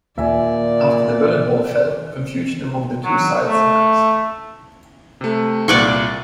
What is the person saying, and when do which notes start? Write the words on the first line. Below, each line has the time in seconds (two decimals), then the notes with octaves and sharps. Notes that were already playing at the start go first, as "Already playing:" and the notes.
After the Berlin Wall fell, confusion among the two sides increased.
0.18 D#2 A#2 D5 E5 G#5
3.04 F#3
3.46 A3
5.21 C3 A3
5.68 C2 A#2 D5 F#5 C#6